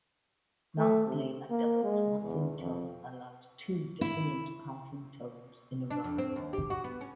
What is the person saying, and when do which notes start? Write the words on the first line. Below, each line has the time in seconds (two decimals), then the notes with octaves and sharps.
Lastly a double passing tone allows two dissonant passing tones in a row.
0.78 A3
1.07 C3
1.50 A#3
1.83 G#3
2.23 E2
2.59 F2
4.01 E4
5.90 D4
6.04 F2
6.18 C4
6.36 D#2
6.53 G4
6.70 F#4
6.84 B3
7.01 C#4